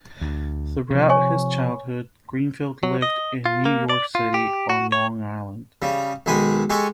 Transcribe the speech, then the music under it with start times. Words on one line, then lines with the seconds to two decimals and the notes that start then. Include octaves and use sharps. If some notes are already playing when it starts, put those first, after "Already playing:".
Throughout his childhood, Greenfield lived in New York City, on Long Island.
0.21 D2
0.90 C3 F3
1.10 C#5 G#5 C#6
2.83 F#3
3.02 D#5
3.46 F4
3.65 A#3
3.89 D5
4.15 F4
4.34 G4
4.70 F#4
4.92 C#5
5.82 C#3 G3
6.26 B1 D#3 G#3 G#5 B5
6.70 G#3 G4 A4 G#5 C#6